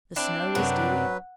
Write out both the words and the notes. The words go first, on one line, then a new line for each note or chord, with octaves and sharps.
The snow was deep.
C4 D4 E4
F#2 C3 F#3 F#4 B4